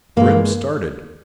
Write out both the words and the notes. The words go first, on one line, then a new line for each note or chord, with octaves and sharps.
Grim started.
G2 D#3 G#3 A#3